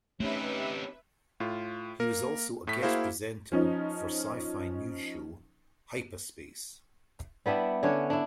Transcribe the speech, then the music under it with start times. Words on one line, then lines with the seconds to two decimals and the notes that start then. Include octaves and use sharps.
He was also a guest presenter for sci-fi news show "HypaSpace".
0.20 A3 C4 C#4 D#4 G4 B4 C#5 E5
1.40 A2 F4
2.00 A#3 A#4
2.67 A2 A3 B6
2.82 A#3 E4 F#4 G#4 C5 F5
3.52 F3 C#4 D#4
7.46 G3 B3 D4 E4
7.83 D3 C#4 D4 C#5
8.10 D4 E4